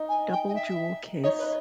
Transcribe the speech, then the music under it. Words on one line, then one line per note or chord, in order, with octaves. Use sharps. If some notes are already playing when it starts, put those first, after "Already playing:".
Double jewel case.
Already playing: D#4
G#5
G5
D#5
E5
D#4 C#5
B4